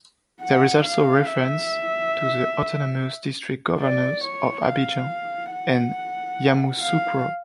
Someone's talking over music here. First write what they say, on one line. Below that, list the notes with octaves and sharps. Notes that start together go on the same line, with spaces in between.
There is also reference to the autonomous district governors of Abidjan and Yamoussoukro.
F#5
F5
E5
D5
C#5
F5
F#5
F5